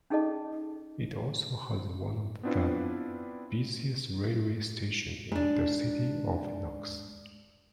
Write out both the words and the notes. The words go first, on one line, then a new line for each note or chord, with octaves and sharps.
It also has one of the busiest railway stations in the City of Knox.
C#4 D#4 G#4 A4 D#5 A5
B3 C4 D4 E4 F4 B4
G#2 D4